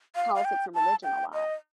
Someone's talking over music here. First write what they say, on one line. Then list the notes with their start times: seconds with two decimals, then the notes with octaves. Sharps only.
politics and religion a lot,
0.16 F5
0.35 F5
0.45 G5
0.75 A5
1.04 G5
1.34 D#5